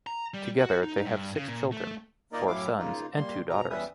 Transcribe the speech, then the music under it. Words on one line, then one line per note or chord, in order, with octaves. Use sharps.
Together, they have six children; Four sons and two daughters.
A#5
G3
F#4
D#4
G2
C#3
A#2
A3
A#3 D#4 F4 A#4 D5 D#5
F#2 A2 E4 F5 D6
C#3 A#3 D#4 F4
G3 A#3 C6
B2 A#5
E2 G3 C#4 B4 E5 D#6